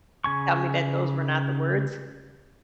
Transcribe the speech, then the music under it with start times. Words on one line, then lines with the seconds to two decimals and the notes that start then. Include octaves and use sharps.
tell me that those were not the words.
0.24 C#3 G#5 C#6